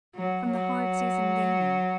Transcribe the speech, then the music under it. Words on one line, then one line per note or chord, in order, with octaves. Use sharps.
From the hard season gaining?
F#3
F#3